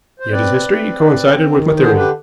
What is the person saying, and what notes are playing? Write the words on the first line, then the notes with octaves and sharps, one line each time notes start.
Yet his history coincided with my theory.
C5
C4 B4 D5
C4
C4
D#3
D3 G#4 C5
G4 B4